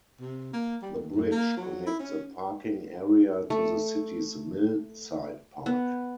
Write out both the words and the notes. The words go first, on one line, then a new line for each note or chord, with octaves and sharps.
The bridge connects a parking area to the city's Mill Site Park.
C3
A#3
G3
D#2
F#2
A#3
F#3
E4
C#4
A3
B3